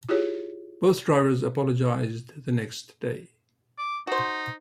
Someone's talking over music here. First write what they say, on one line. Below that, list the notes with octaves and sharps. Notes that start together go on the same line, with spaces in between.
Both drivers apologized the next day.
E4 F4 G4 G#4 C#5
D6
D#4 F#4 C5